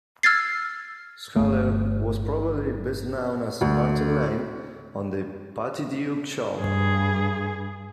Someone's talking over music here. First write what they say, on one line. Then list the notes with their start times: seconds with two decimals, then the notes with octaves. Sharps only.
Schallert was probably best known as Martin Lane on "The Patty Duke Show".
0.23 E6 F6 G#6 A6 C7
1.36 G1 A3
3.61 D2
6.59 G2 G#4